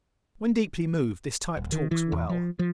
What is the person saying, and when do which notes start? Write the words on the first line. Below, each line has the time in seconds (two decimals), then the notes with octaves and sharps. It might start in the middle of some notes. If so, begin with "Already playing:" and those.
When deeply moved this type talks well.
1.57 D#1
1.72 D#3
1.91 E3
2.12 E2
2.29 F3
2.59 F3